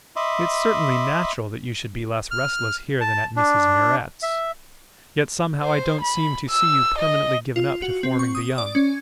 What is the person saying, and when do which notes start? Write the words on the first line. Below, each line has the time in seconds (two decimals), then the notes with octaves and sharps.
"It's certainly natural that you should be less restless here than at Mrs. Murrett's; yet somehow I don't seem to see you permanently given up to forming the young."
0.16 D#5 E5 B5 C6 D6
2.31 F6
3.01 A5
3.36 D4
4.22 E5
5.63 C5
6.01 B5
6.49 E6
6.99 D#5
7.56 F4
7.82 F#4
8.03 C4
8.19 C#6
8.35 D#6
8.58 D5
8.75 C#4